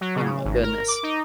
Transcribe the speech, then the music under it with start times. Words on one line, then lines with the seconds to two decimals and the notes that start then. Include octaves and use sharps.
Oh my goodness.
0.01 F#3
0.16 C#3
0.45 G#1
0.63 A#4
0.88 D6
1.03 D#4